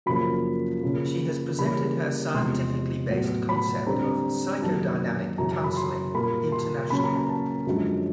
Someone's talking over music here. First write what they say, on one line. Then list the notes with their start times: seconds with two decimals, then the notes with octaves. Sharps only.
She has presented her scientifically based concept of psychodynamic counseling internationally.
0.06 F#2 C#3 F3 A#3 B5
0.83 C#3 F3 A#3
1.58 C#3 E3 G3 A#3 C#4 B5
2.34 E2 C3 F3 G#3 C6
3.10 A2 F#3 B3
3.49 B5
3.87 D3 G3 C4 A#5
4.62 F#2 D#3 F#3 A#3 A5
5.38 F#2 C#3 E3 A#5
5.52 A#5
5.64 B5
5.77 C6
6.15 A#2 G3 A#3 B5
6.52 C6
6.90 C#3 F#3 A#3 C#4 B5
7.04 A#5
7.16 A#5
7.29 A5
7.67 F#2 D3 F3 G#3 C#4